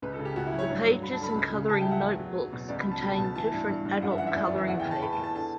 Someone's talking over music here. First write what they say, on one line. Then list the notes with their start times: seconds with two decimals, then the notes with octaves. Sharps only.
The pages in coloring notebooks contain different adult coloring pages.
0.02 C#2 B4
0.14 A4
0.19 C#3
0.25 G4
0.36 C#2 F#4
0.47 E4
0.53 F#3
0.59 C#5
0.70 G2
0.86 F#3
1.02 F#3 B5
1.13 A5
1.20 D3 B5
1.35 C#2
1.53 C#3
1.69 C#2 A5
1.80 G5
1.85 F#3 E5
1.91 F#5
2.02 E2
2.19 F#3
2.36 F#3
2.53 B2
2.69 C#2 D5
2.80 B5
2.86 F#3
2.91 A5
3.02 B2 B5
3.14 A5
3.18 B2
3.24 A5
3.36 E3 A5
3.53 G2
3.69 G2
3.85 G2
4.02 F#2 F#5
4.11 E5
4.18 E3 F#5
4.27 E5
4.35 F#2 D5
4.47 D5
4.52 E3
4.57 E5
4.68 E2 F#5
4.80 G5
4.85 E2
4.91 A5
5.01 E2 B5
5.13 A5
5.18 E2
5.23 A5
5.35 D3 A5